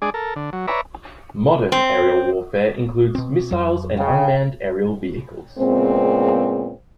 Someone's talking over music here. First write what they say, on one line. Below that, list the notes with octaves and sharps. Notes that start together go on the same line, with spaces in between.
Modern aerial warfare includes missiles and unmanned aerial vehicles.
G#3 D4 G#4 D5
A4 A#4
D3
F#3
B4 C#5 D5 E5 A#5
C4
B2 C4
F2 F#3
C#3 F5 G5
A#2 C#3 G#3 B3 C4